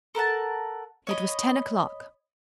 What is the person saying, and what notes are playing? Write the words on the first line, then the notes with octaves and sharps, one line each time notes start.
It was ten o'clock.
A4 A#4 F#5 A5
C#5 D#5 B5